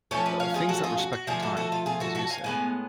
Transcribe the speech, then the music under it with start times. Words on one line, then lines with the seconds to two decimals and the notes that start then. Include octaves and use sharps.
uh, things that respect your time, as you said
0.11 F3 A3 C#4 A4 C#5
0.26 B4 D5
0.40 C#5 F5
0.54 F4 G#4
0.69 F#4 A4
0.83 F4 G#4
0.98 F#4
1.13 F#4
1.27 D3 F3 A3 F4 G#4
1.42 F#4 A4
1.57 F#4 A4
1.72 F4
1.86 F4 G#4
2.00 F#4 A4
2.15 F#4 A4
2.29 F5 G#5
2.44 A2 G#3 B3 G#5